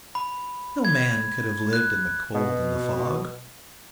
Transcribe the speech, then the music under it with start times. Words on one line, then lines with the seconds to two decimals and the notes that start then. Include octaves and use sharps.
No man could have lived in the cold and the fog.
0.15 B5
0.85 G#6
1.73 F#6
2.34 B2